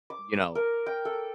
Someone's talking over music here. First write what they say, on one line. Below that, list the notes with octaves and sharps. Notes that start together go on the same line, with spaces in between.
you know,
D6
A#4
G5
A4